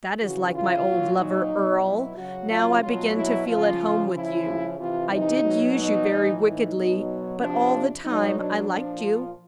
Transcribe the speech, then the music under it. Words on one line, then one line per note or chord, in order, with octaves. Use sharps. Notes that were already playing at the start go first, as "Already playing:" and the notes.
"That is like my old lover, Earle; now I begin to feel at home with you. I did use you very wickedly, but all the time I liked you."
C#3 E3 F#4
F4
A#2 F#3
D#4
B2 F#3
E4
C#3 F#3 F#4
F4
B2 F#3 F4
E4
C#3 F3 F4
C#3 F3 E4
C3 E3 F4
D#4
B2 F#3
D#4
A2 E3
D#4
B2
F#3
C3 F3 D4
B2 F#3 D#4
D4
A#2 F3
F4